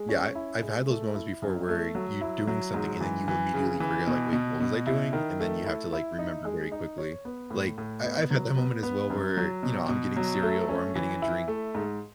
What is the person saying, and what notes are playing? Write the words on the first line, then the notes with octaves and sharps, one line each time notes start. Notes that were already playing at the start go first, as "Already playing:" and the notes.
Yeah, I I've had those moments before where you doing something and then you immediately forget, like, "Wait, what was I doing?" And then you have to, like, remember very quickly. Like, I I've had that moment as well where, you know, I'm getting cereal or I'm getting a drink,
Already playing: G#3
C#4
E4
G#3
A3
E4
F#2
A3
F#3
E4
F#3
G#2
E3
E3
C#3
E3
B2
B2
B2
E4
D#3
A3
E4
E4
D#4
G#3
D#4
C#5
B3
A2
A2
B3
F#3
B3
B3
F#2
F#3
B2
B2
F#3
A3
C#4
E3
E4
A3
G#2